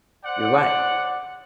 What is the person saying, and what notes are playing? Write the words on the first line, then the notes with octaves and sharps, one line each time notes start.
You're right.
C5 D5 F#5